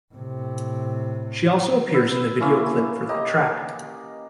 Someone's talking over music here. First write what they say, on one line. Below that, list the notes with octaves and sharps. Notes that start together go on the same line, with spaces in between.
She also appears in the video clip for that track.
A2 C3
B3 E6
A#3 C#4 E4
G4 D#5 A#5